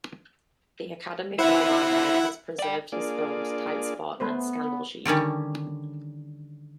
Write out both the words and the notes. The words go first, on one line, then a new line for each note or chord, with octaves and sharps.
The Academy Film Archive has preserved his films "Tight Spot" and "Scandal Sheet".
E4 C5 E5 F#5
D5 G5
A#3 D4 F4 G#4 D5
A3 B3 B4 C5
D3 D#3 G3 C#4